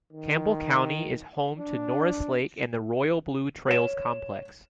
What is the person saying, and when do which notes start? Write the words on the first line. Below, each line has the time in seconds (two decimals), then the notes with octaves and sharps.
Campbell County is home to Norris Lake and the Royal Blue Trails Complex.
0.13 D#3
1.59 D4
3.68 C#5 E7